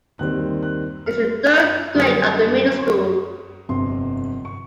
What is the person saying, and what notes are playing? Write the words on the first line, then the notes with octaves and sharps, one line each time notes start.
It is third grade of the middle school.
D#2 D#3 G3 C4 F#6
F#6
F6
E6
F#2 D3 G3 A#3 C#4 D#6
C6
C#6
G1 F2 C3 C6
C#6